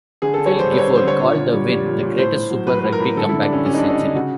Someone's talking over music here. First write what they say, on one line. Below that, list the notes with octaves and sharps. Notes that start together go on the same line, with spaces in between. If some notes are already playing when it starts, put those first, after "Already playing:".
Phil Gifford called the win the "greatest Super Rugby comeback this century".
D3 G#4
D3 A4
C#5
G3 C5
G3 B4
C#5
C5
D3
C5
D3 C#5
A#2
A#2
G3
G3
A#2
A#2
A2 C5
A2
F#3
F#3 B4
A2 B4
A#4
A2
D3 A4
D3 E4
D4
G3 C#4
G3 C#4
D#4
D3 D4
D#4
D3 D4
C#3 F#4